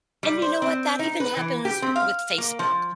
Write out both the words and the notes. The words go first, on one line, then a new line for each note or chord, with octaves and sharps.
And you know what? That even happens with Facebook,
G3
C5
C4
D#4
B4
E3
G4
C4
F5
A#3
F3